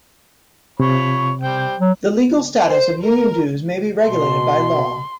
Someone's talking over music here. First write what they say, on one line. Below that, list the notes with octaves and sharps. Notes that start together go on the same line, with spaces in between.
The legal status of union dues may be regulated by law.
C3 F3 C#5 B5
G3 C5 G5
F#3
C5
A#4
B2 C6